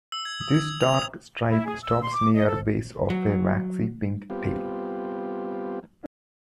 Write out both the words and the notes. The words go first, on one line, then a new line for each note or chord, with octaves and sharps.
This dark stripe stops near base of a waxy-pink tail.
E6
G#6
D#6
G#6
F7
D#6
E4
G#4
E6
C6
D6
D#5
A4
F#3
G3 B3 C4 F4 G4